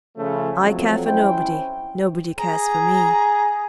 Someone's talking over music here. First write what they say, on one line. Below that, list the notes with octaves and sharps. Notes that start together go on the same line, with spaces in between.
'I care for nobody-- Nobody cares for me.'
C#3 F3 A3
F2 F#3
C#4 E4 C5 G5
G#4 A#5